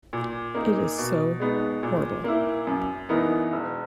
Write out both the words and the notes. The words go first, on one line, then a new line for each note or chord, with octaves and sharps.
It is so horrible.
A#2
A#3 D#4
B2
G#3 B3 D#4
A#2
A#3 E4
F#2
E3 B3 D#4 A#4
E1